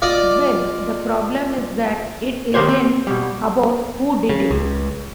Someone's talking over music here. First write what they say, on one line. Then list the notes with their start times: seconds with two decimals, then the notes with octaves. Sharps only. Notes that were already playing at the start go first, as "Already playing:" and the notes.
Well the problem is that it isn't about who did it.
0.02 F4 D5 D#5 D6
2.54 D#3 A#3 G4 C5 C#5
2.69 C4
3.07 B2 G3
4.29 C#3
4.51 C#2